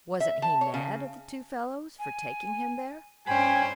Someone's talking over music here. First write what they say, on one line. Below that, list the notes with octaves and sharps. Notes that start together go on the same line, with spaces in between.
"Wasn't he mad at the two fellows for taking him there?"
E5
A5
C#5
C#3
G#5
G2 C#4 C5 G5 G#5 B5